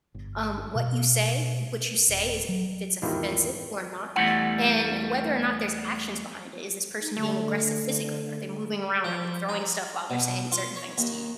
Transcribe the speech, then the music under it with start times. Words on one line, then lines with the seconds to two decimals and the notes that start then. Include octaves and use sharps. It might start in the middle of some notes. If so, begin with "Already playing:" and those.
um, what you say what you say is if it's offensive or not, and whether or not there's actions behind it. Is this person being aggressive physically? Are they moving around? Are they throwing stuff while they're saying certain things to you?
0.14 G1
0.75 B2
2.09 D#1
2.49 F#3
3.02 E2 G#2 D#3 E4 F4 G4
4.16 E2 G3 A3 E4 F#5
7.01 D#4
7.17 D3 A3
9.04 F3
9.49 D#4
10.10 B2
10.52 F4
10.76 C#5
10.98 D#2